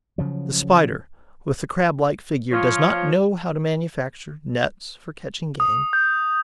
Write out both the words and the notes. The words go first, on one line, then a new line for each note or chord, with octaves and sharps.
The Spider with the Crab-like figure does not know how to manufacture nets for catching game.
C#3 F3 F#3
F3 F4 C#5
D#6
G6